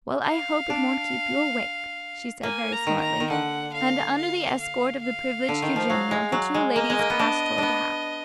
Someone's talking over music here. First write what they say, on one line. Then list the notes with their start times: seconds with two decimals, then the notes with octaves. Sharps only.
"Well, I hope it won't keep you awake!" she said very smartly; and, under the escort of the privileged Eugenio, the two ladies passed toward the house.
0.27 F5
0.70 D4
2.43 A#3 G#5
2.72 A#5
2.87 D#3
3.01 A#5
3.20 D#3
3.30 D3 F#5
3.74 F5
4.16 F5
4.60 F5
5.03 F5
5.48 D3
5.62 D#3
5.76 F3
5.90 F#3
6.11 G#3
6.32 F#3
6.54 G#3
6.76 A#3 D#5
6.90 G#3
6.99 A#3
7.10 B3
7.19 D4
7.58 B3 D4